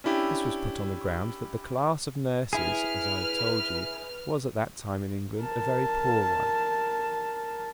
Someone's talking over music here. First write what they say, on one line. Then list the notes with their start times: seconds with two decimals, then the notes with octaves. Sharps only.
This was put on the ground that the class of nurses, as I have told you, was at that time in England a very poor one.
0.04 C#4 D4 E4 G4
2.53 E4 G#4 B4 F6
5.40 A#4 A5